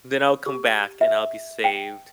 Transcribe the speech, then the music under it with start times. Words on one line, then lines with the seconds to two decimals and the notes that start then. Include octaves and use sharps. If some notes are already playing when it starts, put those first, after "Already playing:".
then I'll come back and I'll be saved.
0.46 G4
1.01 E5
1.64 G5